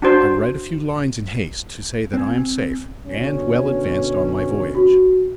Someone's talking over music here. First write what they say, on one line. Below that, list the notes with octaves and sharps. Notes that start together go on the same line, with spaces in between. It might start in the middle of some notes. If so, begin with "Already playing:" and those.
I write a few lines in haste to say that I am safe--and well advanced on my voyage.
D4 F#4 C5
C4 G#5
B2 D3 C#4
F#4